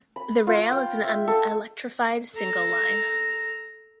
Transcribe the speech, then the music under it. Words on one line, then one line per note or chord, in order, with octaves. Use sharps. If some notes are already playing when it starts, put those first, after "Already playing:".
The rail is an unelectrified, single line.
B5
F4
G5
E5
A4
A4 A#5